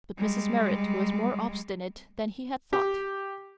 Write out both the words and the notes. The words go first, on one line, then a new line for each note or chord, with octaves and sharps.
But Mrs. Merrit was more obstinate than he had thought.
G3 G#3
G4